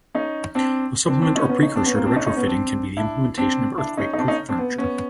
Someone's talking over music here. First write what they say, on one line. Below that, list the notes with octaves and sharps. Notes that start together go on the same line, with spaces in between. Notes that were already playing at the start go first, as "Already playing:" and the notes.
A supplement or precursor to retrofitting can be the implementation of earthquake proof furniture.
C#4 D#4
C4 D4
C4 D4
C4 D4
C#4 D#4
B3 C#4
C#4 D#4
C4 D4
B3 C#4
A#3 C4
C4 D4
C#4 D#4
C#4 D#4
B3 C#4
C4 D4
D4 E4
C4 D4
D4 E4
C#4 D#4
D#4
C4 D4
C#4 D#4
C4 D4
B3
B3 C#4